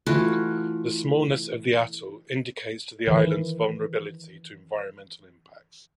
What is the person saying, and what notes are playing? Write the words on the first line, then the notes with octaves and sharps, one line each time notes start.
The smallness of the atoll indicates to the islands' vulnerability to environmental impacts.
E3 A3 F4 F#4
D#3 E3